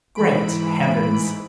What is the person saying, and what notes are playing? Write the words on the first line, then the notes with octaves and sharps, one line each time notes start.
Great heavens!
G#2 E3 B5 D7